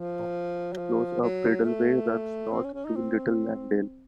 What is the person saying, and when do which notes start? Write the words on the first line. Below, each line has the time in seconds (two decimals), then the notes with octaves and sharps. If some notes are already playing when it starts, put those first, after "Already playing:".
From Hodge Close a bridleway runs north to Little Langdale.
Already playing: F3
0.73 F#3
0.78 F3
1.21 F#3
1.64 A3
2.52 C4
2.64 C#4
2.74 C#4
2.85 D#4
2.96 C4